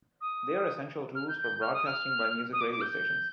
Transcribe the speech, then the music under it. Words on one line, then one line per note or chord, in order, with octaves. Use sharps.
They are essential tools for broadcasting by music radio stations.
D#6
F6
G6
G6
F6
D#6
F6
D#6
D6
D6
G6
G6